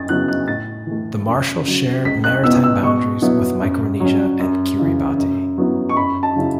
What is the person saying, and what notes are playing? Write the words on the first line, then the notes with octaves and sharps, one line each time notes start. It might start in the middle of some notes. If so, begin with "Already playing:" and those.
The Marshalls share maritime boundaries with Micronesia and Kiribati.
Already playing: F#2 A6
C#3 F#3 B3 E4 F#6
F#6
A2 A6
E3 A3
F#2
C#3 F#3
C#2 B6
F#6
B2 B3 E4 E6
E6
B2 C#6
F#3 B3 E4
F#2
F#3 C#4
F#2
C#3 E3
F#2
F#3 B3 E4
C#6
F#2 B5
A5
C#3 F#3 C#4 E4